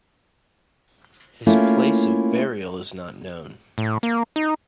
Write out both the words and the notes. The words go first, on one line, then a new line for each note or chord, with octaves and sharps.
His place of burial is not known.
A3 A#3 C#4 E4 F4
A2
A#3
D#4